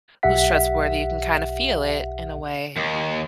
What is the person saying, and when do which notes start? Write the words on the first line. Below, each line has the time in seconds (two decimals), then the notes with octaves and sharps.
who's trustworthy, you can kind of feel it in a way
0.23 B1 B2 G4 E5 F#5 B6
2.77 D#2